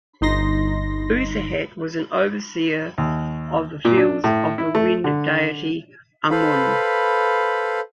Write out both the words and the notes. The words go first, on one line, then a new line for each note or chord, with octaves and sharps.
Userhet was an overseer of the fields of the wind deity Amun.
G1 D#4 C6 A#6
D#2
A#2
D4
A2
E4
A3
D3
A4 B4 C5 F5 B5